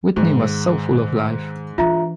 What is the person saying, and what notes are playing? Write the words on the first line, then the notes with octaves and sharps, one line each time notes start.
Whitney was so full of life.
G#2 D#3
E3 D4 F4 E5 A#5